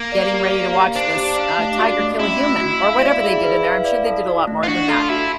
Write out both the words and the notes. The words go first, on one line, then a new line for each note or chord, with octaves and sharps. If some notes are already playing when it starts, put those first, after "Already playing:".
getting ready to watch this, uh, tiger kill a human, or whatever they did in there, I'm sure they did a lot more than that.
Already playing: A#3
D5
G4
F5
G4
D4 C5
G4
F5
A3
F#4
A3
C#4 E4
A3
F#4
F5
D5
G#4
B4
F5
D5
A4
F#4
A3
F4
D4 F#4
F4 A4
E4 F#4